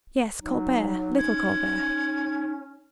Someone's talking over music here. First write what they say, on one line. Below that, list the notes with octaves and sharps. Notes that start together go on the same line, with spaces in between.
"Yes, Colbert, little Colbert."
F#3 D#4
C#4 G#6